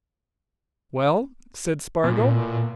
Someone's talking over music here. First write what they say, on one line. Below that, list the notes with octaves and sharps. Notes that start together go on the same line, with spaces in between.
"Well?" said Spargo.
A#2